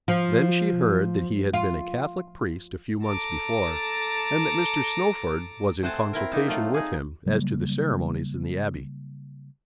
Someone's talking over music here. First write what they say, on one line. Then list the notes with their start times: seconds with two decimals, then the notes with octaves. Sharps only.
Then she heard that he had been a Catholic priest a few months before, and that Mr. Snowford was in consultation with him as to the ceremonies in the Abbey.
0.08 F3
1.54 F4
3.03 A4 A5 A#5 D6 A#6
5.82 A3 C4 C5 F#5 G#5 A5
6.13 C4 E4 A#4
6.31 A#3 D#4 A5
6.48 F#3 A3 F4
6.74 D#4 G#4
7.26 C#3 F#3 G3 A#3